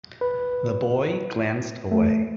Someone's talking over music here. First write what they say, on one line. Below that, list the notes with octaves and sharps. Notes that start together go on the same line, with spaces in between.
The boy glanced away.
B4
A3